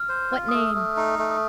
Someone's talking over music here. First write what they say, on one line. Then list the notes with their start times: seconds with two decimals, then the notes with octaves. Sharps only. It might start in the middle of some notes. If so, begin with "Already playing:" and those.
What name?
Already playing: F6
0.09 C5
0.31 F4
0.49 D#6
0.52 A3 E6
0.75 A3
0.97 D#4
1.19 A3
1.31 D#6